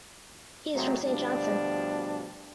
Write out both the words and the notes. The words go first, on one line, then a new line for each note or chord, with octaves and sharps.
He is from St Johnston.
G#2 C3 F#3 A3 C4
D2 B2 F3 G3 D4